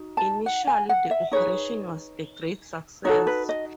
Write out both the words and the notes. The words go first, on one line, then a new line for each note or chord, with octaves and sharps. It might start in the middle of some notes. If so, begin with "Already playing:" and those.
Initially the operation was a great success.
Already playing: D#4 F#4
A5
F#5
G#5
F#5
E5
D#4 G#4 B4 C#5
D#4 F#4 A4 C#5
B4
D#5